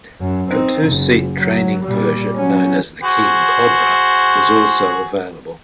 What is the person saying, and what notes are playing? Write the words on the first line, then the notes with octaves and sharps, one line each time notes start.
A two-seat training version, known as the King Cobra was also available.
F#2
C4 D#4
F#1
F#3
A#2 G3
F#3 C#4
F#4 G#4 C5